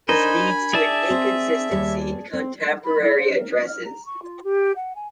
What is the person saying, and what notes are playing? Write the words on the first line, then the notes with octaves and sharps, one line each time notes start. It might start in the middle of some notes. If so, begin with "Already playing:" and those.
This leads to an inconsistency in contemporary addresses.
D4 D#4 A#4 C5 D#5 G#5 B5
G#4 D5 E5 A5
C4
D#2 G3 C#5
C4
B5
E4
C5
A#4
D#6
F6
A#5
C#6
F4
G4
F#5
G#5